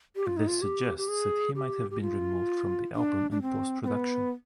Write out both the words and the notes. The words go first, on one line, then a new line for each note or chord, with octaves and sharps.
This suggests that he might have been removed from the album in post production.
G4
F4
D#4
F4
G4
G4
G#4
G4
G4
F4
D4
D4
C4
C4
B3